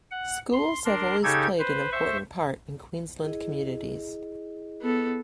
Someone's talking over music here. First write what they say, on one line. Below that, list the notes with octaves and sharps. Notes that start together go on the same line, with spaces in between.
Schools have always played an important part in Queensland communities.
F#5
C6
D4 A#4 C6
C#3 D#4 G4 A4 G#6
B4 C5
C5 E5 C#6
E4 G#4 D#5
B3 A4